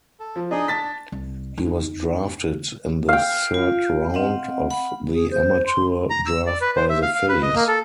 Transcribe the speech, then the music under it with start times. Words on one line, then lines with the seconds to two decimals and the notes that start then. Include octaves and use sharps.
He was drafted in the third round of the amateur draft by the Phillies.
0.20 A4
0.36 F3
0.51 D4 D#4 G#4 D#5
0.68 D4 A5 A6 B6
1.12 C2
1.57 D#4
3.09 F5 G5
3.54 F4
4.14 C4 D#5 F#5
4.70 F#5 B5
5.13 G#4
5.31 C5
5.66 C6
6.10 A#5
6.26 E6
6.46 D5
6.61 B4
6.76 C5
6.90 E5
7.02 F5
7.15 F5
7.29 B4
7.42 D#5
7.56 A#3
7.68 A4